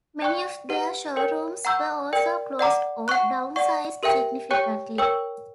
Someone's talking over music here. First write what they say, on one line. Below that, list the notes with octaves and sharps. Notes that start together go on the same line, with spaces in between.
Many of their showrooms were also closed or downsized significantly.
D5 G5 C#6 F#6
G4 B4 F#5
A#4 C#5 G5
F#5 A#5 C#6 E6 G6
A#4 D5 G5
D5 F#5 A#5 D6
F#5 C#6 F#6
D5 F#5 C#6
G4 A#4 E5 G5
G4 C#5 G5 C#6 F#6
A#4 C#5 G5 C#6 E6